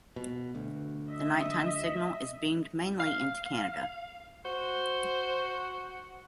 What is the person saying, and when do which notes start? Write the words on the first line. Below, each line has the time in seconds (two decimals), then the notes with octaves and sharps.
The nighttime signal is beamed mainly into Canada.
0.16 B2
0.55 D2
1.09 D#5 E5
3.00 F5
4.45 F#4 C5